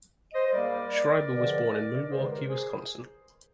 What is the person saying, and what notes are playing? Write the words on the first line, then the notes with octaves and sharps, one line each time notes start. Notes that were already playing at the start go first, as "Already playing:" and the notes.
Schreiber was born in Milwaukee, Wisconsin.
C5 D#5
C5
G#2 G3 A#3 A#4 D5
G2 D3 F3 G#3
D5
G2 D3 G#3 G#4 C5
G4 A#4
G#4 C5